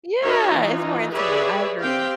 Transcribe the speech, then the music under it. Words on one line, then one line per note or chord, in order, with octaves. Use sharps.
Yeah, it's more intimate, I agree.
D#4 F#4 A#4 C#5 E5
E3 D#4 F4
G4 G#4 B4 C#5 D5 E5
C4 G4 F5 G5